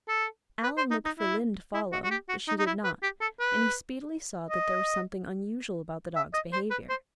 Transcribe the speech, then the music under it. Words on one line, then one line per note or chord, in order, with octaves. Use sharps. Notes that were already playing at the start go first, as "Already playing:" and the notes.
Alan looked for Lynde to follow, but she did not, and he speedily saw that there was something unusual about the dog's behaviour.
A4
B4
C5
D#4
D#4
E4
E4
F#4
F#4
G4
F#4
D#4
D#4
E4
B4
G4
A4
B4
D#5
E5
D#5
C5
B4
C5